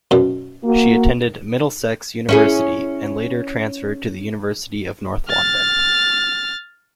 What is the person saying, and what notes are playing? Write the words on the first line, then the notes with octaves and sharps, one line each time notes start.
She attended Middlesex University, and later transferred to the University of North London.
F#2 B2
A#3 F#4
C#4 E4 G#4
F6 A6